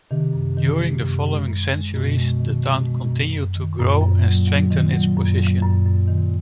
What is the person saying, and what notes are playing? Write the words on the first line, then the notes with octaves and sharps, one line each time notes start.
During the following centuries the town continued to grow and strengthened its position.
C3 D#3
F#2
D#3
G#3
F#2
G#3
F#2
G#3
F#2 B2
G#3
D#3
G#3
G#3
F#2
F#2
D#3
F#2 A#2
F#2
F#3
F#3
D#3
F#3
F#2
F#3
F#2
F#2
D#3